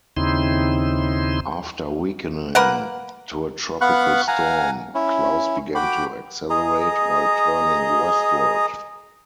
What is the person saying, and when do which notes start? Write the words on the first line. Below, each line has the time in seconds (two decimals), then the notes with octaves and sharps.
After weakening to a tropical storm, Klaus began to accelerate, while turning westward.
0.17 D#2 C#3 C4 D#4 E4 C6
2.55 A#3 A#4 B4 F#5
3.81 B3 F5 F#5 B5 C#6 F#6
4.28 F5 F#5 G#5 A#5
4.95 C#4 E4
5.75 F#4 G5 B5 D6
6.50 G#4 D#5 A#5